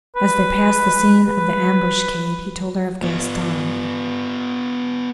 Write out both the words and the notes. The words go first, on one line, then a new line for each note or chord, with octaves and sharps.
As they passed the scene of the ambuscade he told her of Gaston.
B4
B4
B3 F4